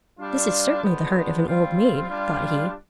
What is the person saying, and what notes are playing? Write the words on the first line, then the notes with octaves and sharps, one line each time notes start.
"This is certainly the heart of an old maid," thought he.
G3 D4 F4
F3 G#3 B3 D4
G3 C4 F4
G3 D4 F4